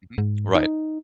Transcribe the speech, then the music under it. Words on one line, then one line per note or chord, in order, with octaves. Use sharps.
Mhm. Right.
G#2
D#4